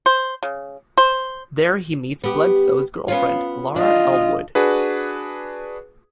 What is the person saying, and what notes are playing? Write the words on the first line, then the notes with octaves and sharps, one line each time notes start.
There he meets Bledsoe's girlfriend, Laura Elwood.
C5
C#3
C5
B3 G4
B3 C#4 F4
D4 F4 D#5
D4 F#4 G#4 B4